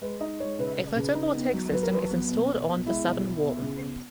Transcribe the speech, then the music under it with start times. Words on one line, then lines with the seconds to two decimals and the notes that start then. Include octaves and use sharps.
A photovoltaic system is installed on the southern wall.
0.02 G#3 B4
0.21 D#4 D#5
0.40 G#3 C#5
0.59 C#3 B4
0.78 C#3
0.96 C#3
1.15 D#4
1.35 B3
1.53 F#3
1.72 F#3 B4
1.83 A#4
1.91 F#3 B4
2.11 B3
2.29 B2
2.49 B2
2.67 B2
2.86 G#3 E4
3.04 B2
3.24 B2
3.43 B3
3.62 C#3
3.81 B3